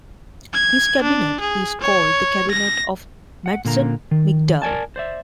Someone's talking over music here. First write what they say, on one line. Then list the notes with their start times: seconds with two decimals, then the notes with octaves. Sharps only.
His cabinet is called the Cabinet of Madsen-Mygdal.
0.53 G#6
1.03 D4
1.41 G#4
1.82 C#5
2.51 A#6
3.46 F#5
3.65 A#2 D3 A#3 A#5
4.11 D#3
4.62 A#4 D5 G#5 A5
4.96 C5 D5 E5